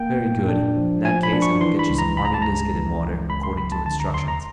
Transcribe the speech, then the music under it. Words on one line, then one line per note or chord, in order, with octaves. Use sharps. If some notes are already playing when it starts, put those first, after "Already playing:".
"Very good; in that case I will get you some army biscuit and water, according to instructions."
Already playing: A#3 G5
A#2
D4
F3
F3 G#5
B5
D4
C#6
E3 C6
B5
C#2
A#5
C#2 B5
A#5
A5
C#2 A#5
E3
C#2
C#2 B5
C6
C#2 B5
A5
D3 A5
A#5
D#2 C6
A#5